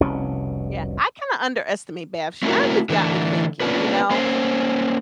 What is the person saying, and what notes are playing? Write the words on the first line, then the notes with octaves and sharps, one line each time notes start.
Yeah. I kinda underestimate baths now you've got me thinking, you know.
F1 C2 B2 C#4
A3 C4 C#4 E4 F#4 A#4
D3 E3 A3 D4
A#3 B3 C#4 D4 F4 B4
A#3 C#4 C5